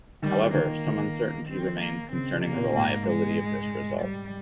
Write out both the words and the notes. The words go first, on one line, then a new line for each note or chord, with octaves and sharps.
However, some uncertainty remains concerning the reliability of this result.
D#3 G3
D#3 A#3
D#3
C4
A#3
C#3 C4
C3
A#3
A#2
G#2 A#3
G#3
G3